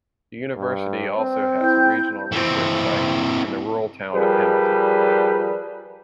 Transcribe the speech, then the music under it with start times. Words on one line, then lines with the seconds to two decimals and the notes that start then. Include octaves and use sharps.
The university also has a regional research site in the rural town of Hamilton.
0.57 G2
1.17 C4
1.59 E4 G5 G6
2.32 E3 C4
4.15 F3 G3 G#4 A#4 B4